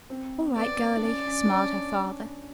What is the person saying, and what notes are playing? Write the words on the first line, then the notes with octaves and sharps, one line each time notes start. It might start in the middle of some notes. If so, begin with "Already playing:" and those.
"All right, girlie," smiled her father.
C4
B3 D5
C4
B3
D4
C#4 D5
C#4
D4
C#4